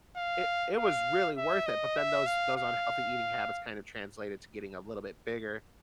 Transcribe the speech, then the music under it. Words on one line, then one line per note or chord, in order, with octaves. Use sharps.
it it was really worth it, but then those those unhealthy eating habits kind of translated to getting a little bit bigger,
F5
F5
E5
D#5
E5
F5
F5